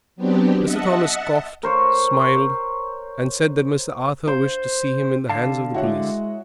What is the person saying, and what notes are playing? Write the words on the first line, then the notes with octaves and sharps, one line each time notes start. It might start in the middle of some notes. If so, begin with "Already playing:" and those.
Mr. Thomas coughed, smiled, and said that Mr. Arthur wished to see him in the hands of the police.
F#3 B3 C4 D4 G4
D#5 E5 F#5 A5
A#4 C5 C#5
C5
D3 F5 A5
G#3 E4 F#4 C#5 E5 F#5